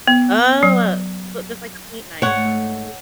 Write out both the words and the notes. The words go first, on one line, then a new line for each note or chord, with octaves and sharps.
Oh. So just, like, a paint night.
B3
F#3
G#2 A3 C#5 F#5